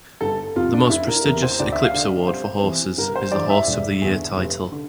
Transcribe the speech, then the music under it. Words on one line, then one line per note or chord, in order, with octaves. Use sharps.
The most prestigious Eclipse Award for horses is the Horse of the Year title.
G1 A4
F2 C3 F4
D4
F1 E4
A#4
E2 C3 E3 A#4
C5
D2 D5
E5
F5
D3
C2 C5
C3 E3
G1 A#4
C5
G2 E3 D5
E5
E1
E2 D3
F1
D3